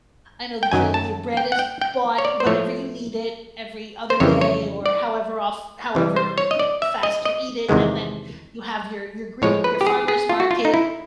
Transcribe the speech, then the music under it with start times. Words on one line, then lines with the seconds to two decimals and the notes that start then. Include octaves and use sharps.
I know the drill, your bread is bought whenever you need it, every other day or however of however m fast you eat it, and then you have your your green your farmer's market
0.63 G5
0.72 F#2 D#3 F#3 G#5
0.94 A5
1.37 G5
1.52 F#5
1.59 G5
1.81 G5
2.18 C#5
2.25 D5
2.40 C5
2.46 A2 F3 A3 C#5
4.10 C5
4.20 F2 C#3 E3 G3 C#5
4.41 C#5
4.86 D5
5.95 C3 E3 G3
6.16 C5
6.38 C#5
6.51 D#5
6.59 D5
6.82 E5
7.03 D#5
7.25 D#5
7.69 E2 C3 D#3 G#3 B3
9.42 A2 F3 G#3 C#5
9.64 B4
9.81 G4
9.87 G#4
10.08 G#4
10.29 F4
10.40 F#4
10.51 F4
10.65 D#4
10.74 E4